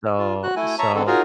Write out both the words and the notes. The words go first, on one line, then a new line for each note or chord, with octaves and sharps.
So so
F4
F#4 F#6
A3 E4 G#5
C#5 E5 A5 A#5 C#6
D3 E3 B3 C4 D4 A4
D#4 F4 F#4 G#4 A#4 C#5